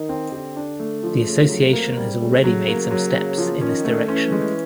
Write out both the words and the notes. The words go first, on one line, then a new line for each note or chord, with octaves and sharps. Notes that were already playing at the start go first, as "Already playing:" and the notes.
The association has already made some steps in this direction.
Already playing: D#3 D#4
C4
D3 G4
D4
A3
F3
C#3 A3
F#3
C3 A#3
G3
C#3 A3
F#3
A#3
F#3
C#3 A#3
F3
D#3 C#4
A3
E3 C#4
G#3